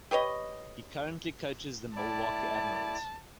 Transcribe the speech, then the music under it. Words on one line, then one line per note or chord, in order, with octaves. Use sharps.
He currently coaches the Milwaukee Admirals.
G4 B4 C#5 D#5
A2 E4 D5 A5